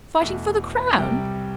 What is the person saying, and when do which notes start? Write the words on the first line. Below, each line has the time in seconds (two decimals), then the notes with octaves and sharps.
'Fighting for the crown?'
0.21 E2 B2 A3 E5
0.98 C2 C3 G3 G5